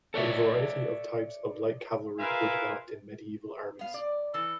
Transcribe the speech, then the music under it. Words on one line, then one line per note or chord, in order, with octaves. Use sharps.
A variety of types of light cavalry were developed in medieval armies.
A4 C#5 D5 E5
F4 G#4 A#4 B4 E5 F5
B3 F5
D5
E3 A4